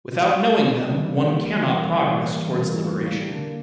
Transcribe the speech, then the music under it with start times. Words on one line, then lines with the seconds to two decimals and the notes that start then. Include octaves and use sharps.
Without knowing them one cannot progress towards liberation.
0.15 G3
0.41 A#3
0.67 G3
0.93 E3
1.19 G3
1.46 G3
1.71 E3
1.97 A#3
2.23 A#3
2.50 A#3
2.76 E3
3.01 A#3
3.28 D3